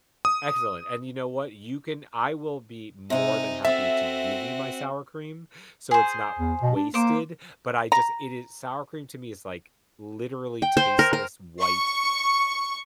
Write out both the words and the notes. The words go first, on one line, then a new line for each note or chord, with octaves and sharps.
excellent, and you know what, you can I will be more than happy to give you my sour cream, so it's not w wasted, but I just, it is sour cream to me is like literally tasteless, white
D#6
C3 D#4 F5 G#5
C4 F#4 A4 E5
G#4 C5
E2
B2
D4
A#3 C5 D6
A#5
G5
C5
A#4
A#4
C#6